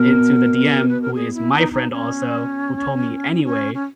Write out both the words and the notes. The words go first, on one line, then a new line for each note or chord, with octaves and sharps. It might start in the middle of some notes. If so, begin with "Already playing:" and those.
into the DM, who is my friend also- who told me anyway-
Already playing: B2 A#4
B4
A#4
G#4
E4
D#4
D#4
C#4
C#4
C#4